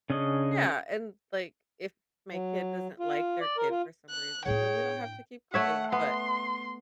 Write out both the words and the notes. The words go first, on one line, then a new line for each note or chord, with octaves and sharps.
Yeah, and, like, if my kid doesn't like their kid for some reason, then we don't have to keep going, but
C#3 C#4 D4 D#5
F#3
F4
D5
A#4
F4
F#6
A2 D4 G#4 C#5 G5
A3 C#5 E5 F#5
B3 C6